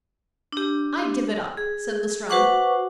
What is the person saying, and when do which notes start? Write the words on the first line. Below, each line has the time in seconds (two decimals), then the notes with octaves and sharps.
"I give it up," said Lestrade.
0.52 D4 G4
1.57 G#4
2.29 F#4 B4 C5 F#5 C#6 D6